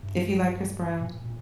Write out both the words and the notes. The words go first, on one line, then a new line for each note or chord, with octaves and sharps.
If you like Chris Brown.
G2
A#2
A#2